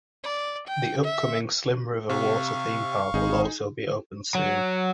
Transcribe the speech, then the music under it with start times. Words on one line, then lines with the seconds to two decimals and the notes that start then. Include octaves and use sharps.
The upcoming Slim River Water Theme Park will also be opened soon.
0.23 D5
0.67 G5
1.04 E5
2.09 C3 F5 C#6
3.14 G#1 D#4 G#4
4.35 F#3